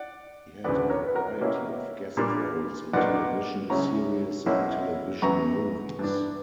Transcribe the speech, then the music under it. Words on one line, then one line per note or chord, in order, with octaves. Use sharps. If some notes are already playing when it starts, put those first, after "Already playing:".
He had a variety of guest roles in television series and television movies.
Already playing: D5 F#5
D2 C#3 E3 B3 B4 D5
A#4 C#5
B4
F#4 A#4
B2 A#3 C#4 E4 G4
A#2 G3 A#3 D4
B1 B2 A#3 D4 D5 F#5
C#2 C#3 F#3 C#4 E4 A#5 C#6
B1 B2 A#3 C#4 E4
F#2 E3 B3 A#5 C#6
G2 E3 B3 D4